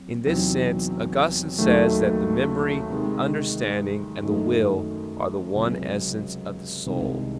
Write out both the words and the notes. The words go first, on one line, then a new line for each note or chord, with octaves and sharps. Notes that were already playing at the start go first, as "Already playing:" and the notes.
In this sense, Augustine says that the memory, understanding, and the will are the one essence of the soul.
Already playing: F#3 C4
E2 C3 F#3 C4 D#4
D#2 D#3 F#3 A3
C3 D#3 G#3
F#2 D#3 A3 D#4
C#2 C3 F#3 C#4
C2 C3 D#3 G#3